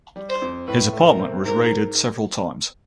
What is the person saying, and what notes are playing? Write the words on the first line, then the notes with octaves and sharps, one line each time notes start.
His apartment was raided several times.
G3
C5
F2
A2 B4
A3
A#4
C4
G#2 A#4